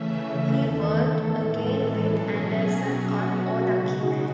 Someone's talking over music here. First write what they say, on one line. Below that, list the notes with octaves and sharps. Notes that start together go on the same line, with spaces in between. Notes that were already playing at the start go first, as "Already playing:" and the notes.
He worked again with Anderson on O Lucky Man!
Already playing: C#3 E3 A3 C#4 E5
E2 D#3 A3 A4
A2 E3 G#3
B2 F#3 C#4 G#4
B2 F#3 C#4 F#4
C#3 G#3 D#4